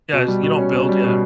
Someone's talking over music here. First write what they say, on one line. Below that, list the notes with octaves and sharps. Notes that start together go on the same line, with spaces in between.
Yeah, you don't build, yeah.
B2
G3
B2
C#4
B2
G3
B2